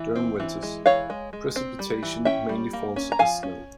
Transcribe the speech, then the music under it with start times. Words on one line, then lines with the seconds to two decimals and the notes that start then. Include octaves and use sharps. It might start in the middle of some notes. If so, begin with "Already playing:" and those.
During winters, precipitation mainly falls as snow.
Already playing: E3
0.16 C4
0.40 E3
0.63 G#3
0.86 E3 C#5 F5
1.10 G#3
1.33 G#3
1.56 C4
1.79 G3
2.03 E3
2.25 C#4 E5 G5
2.49 G3
2.73 A#3
2.96 C#4
3.12 A#5
3.19 F3 F5 G#5
3.43 C#4